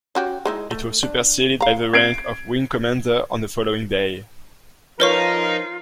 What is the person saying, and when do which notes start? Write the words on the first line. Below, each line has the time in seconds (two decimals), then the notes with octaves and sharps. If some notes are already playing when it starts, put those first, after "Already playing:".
It was superseded by the rank of wing commander on the following day.
0.15 C#4 F#4 G4
0.45 G#3 D#4 E4
0.71 A3
1.03 D4
1.60 F5 A#5
1.93 G#6 C7 D7
5.00 F3 D#4 F4 A#4 B4 C#5 C#6